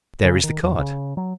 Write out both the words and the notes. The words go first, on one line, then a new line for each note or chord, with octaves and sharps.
There is the card.
C#3
D#3
E2
C#3
F#3